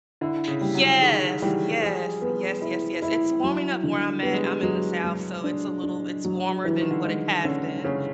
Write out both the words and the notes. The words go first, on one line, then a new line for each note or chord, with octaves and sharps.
Yes. Yes. Yes, yes, yes. It's warming up where I'm at. I'm in the South, so it's a little it's warmer than what it has been.
D3 E4
C#3
G3
F#3
D#3 G#4
E3 G3
F3 G#4
B3
E4
E4
F#3
D3
G3 B3
G#3
G3
F#3 G#3
F#3
D4
D4
F#3
E3 G3
D#3
D3
G#3
D3 C#4
D3
C#3 C#4